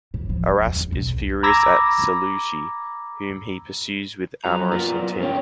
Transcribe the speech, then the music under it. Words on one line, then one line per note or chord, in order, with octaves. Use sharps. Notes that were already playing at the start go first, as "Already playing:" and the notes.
Araspe is furious at Seleuce, whom he pursues with amorous intent.
A2
F3
A#3
E2
B1
A#5 B5 D6 E6 G#6 A#6
F#2 F#4 A#5
B3 F4 A#4 A#5
G2 C#4 C#5 G5